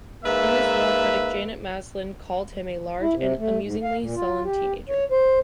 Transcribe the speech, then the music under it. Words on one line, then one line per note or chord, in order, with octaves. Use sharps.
In this role, critic Janet Maslin called him a "large and amusingly sullen teenager".
G#2 A#3 B4 E5
E4
C3
A3
G#2
F5
A#2
F4
G4
C#5
C5